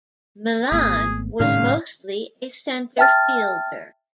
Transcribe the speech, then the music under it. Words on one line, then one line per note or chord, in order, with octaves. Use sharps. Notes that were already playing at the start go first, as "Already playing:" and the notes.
Milan was mostly a center fielder.
G#1 A3 B3 G#4
G#1 A2 C#3 F5
E5 G5 A5 F6 A6